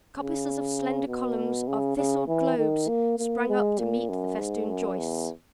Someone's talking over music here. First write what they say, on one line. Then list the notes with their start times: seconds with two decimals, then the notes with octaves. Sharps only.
Coppices of slender columns of thistled globes sprang up to meet the festooned joists.
0.17 C#3
1.08 B2
1.67 C#3
1.97 C#3
2.28 E3
2.57 D#3
2.88 A#3
3.18 A#3
3.48 G#3
3.79 A#2
4.09 F#2
4.39 G#2
4.69 F#2
4.98 E2